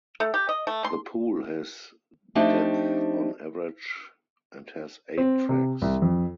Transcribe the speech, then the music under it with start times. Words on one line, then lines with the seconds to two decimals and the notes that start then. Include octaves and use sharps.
The pool has depth on average and has eight tracks.
0.20 A3
0.34 G4
0.49 D#5
0.67 A3
0.84 C6
2.35 F3 A3 C4 D4 D#4 G4
5.17 C4
5.49 C3
5.82 C2
6.02 F2